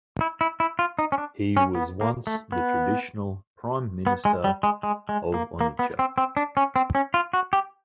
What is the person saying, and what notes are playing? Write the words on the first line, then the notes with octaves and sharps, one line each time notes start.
He was once the traditional Prime Minister of Onitsha.
E4
E4
E4
F4
D#4
C#4
D4
C#4
B3
A#3
A3
B3
B3
G#3
G3
G#3
G#3
G#3
A#3
A#3
B3
C4
C4
D4
C#4
C4
C#4
F4
F#4
G4